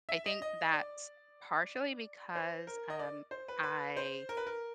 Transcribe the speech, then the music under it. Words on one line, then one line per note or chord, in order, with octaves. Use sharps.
I think that's partially because, um, I
E5
D#5
D#5
D5
C5
A#4
D#5
D5
C5
B4
B4
C5
A#4
B4
A#4